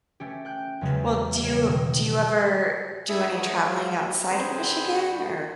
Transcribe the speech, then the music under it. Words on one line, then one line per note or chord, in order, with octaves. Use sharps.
well, do you do you ever do any traveling outside of Michigan? Or
A3 C#4 G4
G5 F#6 G6
E2 C#3 F#3 G#3
G3 A#3 C#5
B2 D#3
G2 E4 A4 E5 G#5 D#6
E3 G#3 D#4 F#4 C#5 D#6
F3 G#3 F4
D#2
D3 C4 G#4 B4 C5
G2